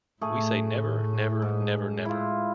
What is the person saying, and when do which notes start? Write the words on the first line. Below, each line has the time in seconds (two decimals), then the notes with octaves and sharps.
We say never, never, never, never!
0.21 A2 A3 G#4
1.42 G#2
2.05 E4 F4